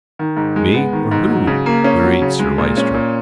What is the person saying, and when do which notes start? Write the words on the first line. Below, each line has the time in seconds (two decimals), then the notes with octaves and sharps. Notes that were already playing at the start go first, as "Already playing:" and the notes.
"Me or who?" queried Sir Lyster.
0.19 D#3
0.37 G#2
0.56 G#3
0.74 B3
0.93 D#3
1.11 G#2
1.29 F#3
1.47 C#3
1.66 A#3
1.84 C#4
2.03 F#3
2.22 C#3
2.39 G#3
2.58 A#2
2.77 C#4
2.94 A#2